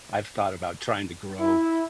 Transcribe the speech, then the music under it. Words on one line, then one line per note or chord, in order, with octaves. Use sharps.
I've thought about trying to grow,
E4